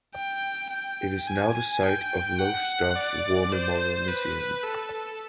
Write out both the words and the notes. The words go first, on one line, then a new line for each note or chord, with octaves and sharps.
It is now the site of Lowestoft War Memorial Museum.
G5
G5
G#5
G#5
G5
F#5
D5
C5
B4
A4